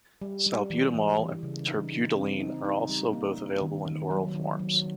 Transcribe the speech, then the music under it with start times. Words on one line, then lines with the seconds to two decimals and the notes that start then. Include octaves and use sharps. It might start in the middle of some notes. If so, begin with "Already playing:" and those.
Salbutamol and terbutaline are also both available in oral forms.
0.22 G3
0.46 G3
0.70 E3
0.95 E3
1.19 E3
1.43 C#3
1.67 D#4
1.92 D#4
2.16 C4
2.40 D#4
2.65 D#4
2.89 G3
3.13 A#3
3.38 A#3
3.61 D#3
3.86 D#3
4.11 F#3
4.35 D#3
4.59 F#3